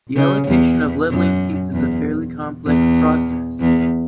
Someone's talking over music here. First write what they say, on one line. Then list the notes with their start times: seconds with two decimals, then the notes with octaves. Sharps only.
The allocation of leveling seats is a fairly complex process.
0.16 C#3
0.47 E2
1.10 F#2
1.73 E2
2.66 E2
3.60 E2